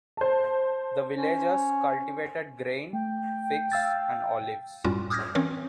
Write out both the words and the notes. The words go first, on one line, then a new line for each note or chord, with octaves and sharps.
The villagers cultivated grain, figs, and olives.
C5 A5
C#4
A3 G5
F5 E6 A6
F#2 A2 G3 C#4 F4 F#4
D6 D#6 F6 G6 G#6 A#6
E3 C4 C#4 A#4 C#5